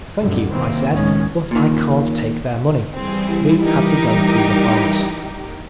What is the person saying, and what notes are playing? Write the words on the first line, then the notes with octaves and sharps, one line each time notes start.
"Thank you," I said, "but I can't take their money." We had to go through the farce.
A#1 F#2 D3 G3
C3 D#3 E3 A#3 C4
C#2 A2 D#3 G#3 C#4
A#2 D#3
E3 G3 C4 E4 G#4
D#4 G4 A#4